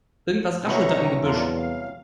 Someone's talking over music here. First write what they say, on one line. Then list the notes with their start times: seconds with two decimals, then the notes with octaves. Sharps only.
Irgendetwas raschelt da im Gebüsch.
0.67 C2 C3 E3 F#3 A#5 C#6
1.23 E2 D4 F4 A#4
1.57 F5